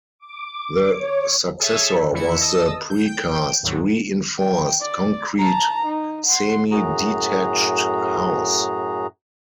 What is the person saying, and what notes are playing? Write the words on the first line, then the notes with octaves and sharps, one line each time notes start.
The successor was the pre-cast re-inforced concrete semi-detached house.
D6
C#5
G#4 A4 C#5 E5
F2 E3 E4 C#7
D#5 A5 D#6 E6
G6
G5
D#2 G#2 D#3 F#3
G5
D5
A5 A#5
D#4
F#5 C6
F#2 A2 F#4 G#4 A#5